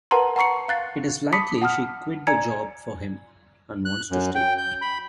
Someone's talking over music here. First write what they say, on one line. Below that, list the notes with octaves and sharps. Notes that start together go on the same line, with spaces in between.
It is likely she quit the job for him and wants to stay.
A#4 B4 F#5 A5 A#5 C6
F#5 A5 A#5 C#6 C7 C#7
F5 F#6 A6 C7
A5 B5 D6 D#6 B6 C#7
F#5 A5 D#6 F6
D5 G#5 A#5 G#6 C#7
F#6
F#2
G5
G6
B5